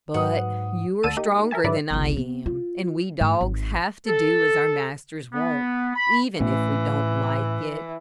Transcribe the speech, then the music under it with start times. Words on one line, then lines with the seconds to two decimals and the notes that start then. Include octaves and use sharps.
But you are stronger than I am, and we dogs have to do as our masters want, even if we don't like it.
0.14 G#2 F#3 B4 F#5 D#6
1.03 D2 D3 A5 E6 D#7
1.17 A#3 D#4 G4
1.51 A#4 E5 G#5 A5
1.64 G#2 D3 F#3 B4 D5 E5
1.90 G1 C#2
2.17 B3
2.46 F4
3.21 G#2 A3
3.41 G#1
4.07 A4
5.33 B3
5.95 B5
6.40 A2 E3 A3 C#4